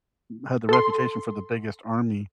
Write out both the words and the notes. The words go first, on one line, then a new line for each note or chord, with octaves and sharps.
had the reputation for the biggest army.
A4 C6